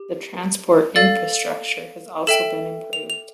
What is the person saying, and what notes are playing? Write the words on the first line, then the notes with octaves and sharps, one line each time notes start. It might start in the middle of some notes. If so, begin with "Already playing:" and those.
The transport infrastructure has also been improved.
Already playing: G4
A4 D5 F5 A6
A4 E5 G5 E7
F7
F7